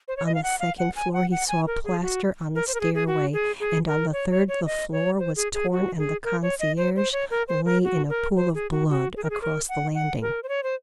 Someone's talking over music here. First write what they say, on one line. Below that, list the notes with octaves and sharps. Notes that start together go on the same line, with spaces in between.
On the second floor he saw plaster on the stairway, and on the third the floor was torn and the concierge lay in a pool of blood across the landing.
C5
C#5
D#5
F5
F#5
F5
F#5
G#5
F#5
F#5
G#5
A#4
G#4
F#4
A#4
C5
A#4
G#4
G#4
F#4
G#4
G#4
A#4
C#5
C#5
C#5
D#5
C#5
C5
G#4
G#4
F#4
G#4
A#4
C#5
D#5
C5
C5
C#5
A#4
C5
A#4
F#4
A#4
C5
G#4
F#4
F#4
G#4
A#4
G#4
A#4
F#5
F#5
A#4
C5
C#5
C5